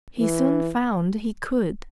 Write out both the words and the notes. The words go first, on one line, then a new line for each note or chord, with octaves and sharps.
He soon found he could.
E3